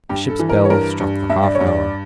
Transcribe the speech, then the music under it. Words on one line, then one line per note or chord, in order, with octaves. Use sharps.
The ship's bell struck the half-hour.
G2 G4
A4
E3
A#4
C#5
G2 A#4
G2
G2 E5
D5
C#5
G2
D5